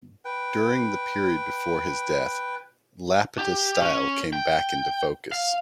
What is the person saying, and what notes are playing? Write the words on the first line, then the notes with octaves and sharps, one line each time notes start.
During the period before his death, Lapidus' style came back into focus.
B4 G5
G4
C#4
G5
F5